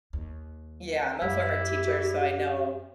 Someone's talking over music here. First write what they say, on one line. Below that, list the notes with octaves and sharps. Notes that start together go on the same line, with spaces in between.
Yeah, I'm a former teacher, so I know
D#2
F#2 E4 G4